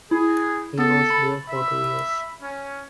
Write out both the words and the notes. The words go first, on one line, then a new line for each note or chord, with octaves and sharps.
He was there for two years.
E4 G#4
B3 A4
B5
E5
C#4